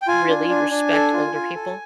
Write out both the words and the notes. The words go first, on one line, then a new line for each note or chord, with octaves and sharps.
really respect older people
G5
F4 G#5
D4
D4
D4
A4
F4
F4
A4